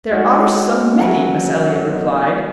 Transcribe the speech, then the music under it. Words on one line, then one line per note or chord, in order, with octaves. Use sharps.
"There are so many ..." Miss Eliot replied.
G#3 D#4 F#4 C#5
F#3 C#4 F#4 C#5 E5
B3 D#4 F#4